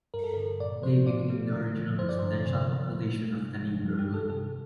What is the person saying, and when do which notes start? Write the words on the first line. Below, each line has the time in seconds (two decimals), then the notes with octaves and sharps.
They became the original residential population of the neighborhood.
0.14 G2 A#4
0.24 A4
0.34 A#4
0.37 D3
0.60 A#2 D5
0.83 F3 C5
1.06 A2 D5
1.30 A3
1.53 D3
1.76 F3
1.99 G2 C5
2.09 D5
2.19 D3 C5
2.45 C3
2.68 F3
2.91 A#2
3.14 A3
3.37 C3
3.60 F3
3.83 G2
3.99 G4
4.07 D#3
4.14 A4
4.30 C3 A4